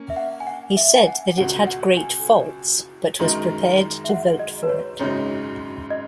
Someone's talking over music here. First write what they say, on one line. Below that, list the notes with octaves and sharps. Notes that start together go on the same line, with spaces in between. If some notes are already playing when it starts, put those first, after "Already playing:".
He said that it had great faults but was prepared to vote for it.
Already playing: A#3 C#4
E5
F#5
G#5
F#5
E5
G#5
F#5
C#2 B2 F#3 F#5
F#5
G#5
F#2 D#3 G#3 D#4 A#4
E5
F#5
D#5
B4
C#5
G#1 F#2 C#3 G#3 D#4 C#5
D#5